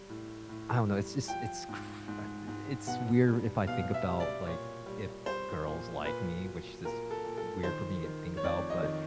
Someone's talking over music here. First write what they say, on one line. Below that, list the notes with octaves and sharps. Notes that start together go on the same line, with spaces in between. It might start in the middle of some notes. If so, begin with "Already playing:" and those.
I don't know, it's just it's cr I d it's weird if I think about, like, if girls like me, which is weird for me to think about, but
Already playing: G3
A2
A2
G3
F3 G5
G#2
G#2
G#2
B2 F#5
G3
B2 F5
E5
G3
D5
A#2 C#5
G3
G3 C5
A#2
A#2 B4
F#3
A#2 A#4
A4
A#2
A4
D#3 C5
D#3
C#5
F2 D5
D#5
D#3